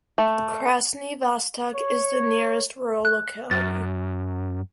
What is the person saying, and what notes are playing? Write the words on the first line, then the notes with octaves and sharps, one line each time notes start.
Krasny Vostok is the nearest rural locality.
A3
C#5
F#6
F#2 A6